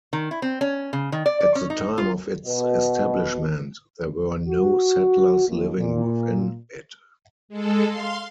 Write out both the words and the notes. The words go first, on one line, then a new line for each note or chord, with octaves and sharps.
At the time of its establishment, there were no settlers living within it.
D#3
E4
C4
C#4
C#3
D#3
D5
D5
C#4
D#4
F4
B2
F#4
D#2
A#2
G#3 A4
F5 C6